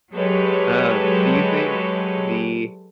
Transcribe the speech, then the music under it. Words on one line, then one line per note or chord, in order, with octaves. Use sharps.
Um, do you think the
F#3 G#3 G4 A4 B4 C#5